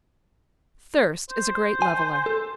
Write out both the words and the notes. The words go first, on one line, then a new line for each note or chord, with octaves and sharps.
Thirst is a great leveller.
C5
G#5
A4